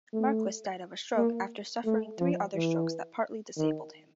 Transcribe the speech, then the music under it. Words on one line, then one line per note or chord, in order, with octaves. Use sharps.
Marquis died of a stroke after suffering three other strokes that partly disabled him.
A3
A#3
A3
F3
E3
D#3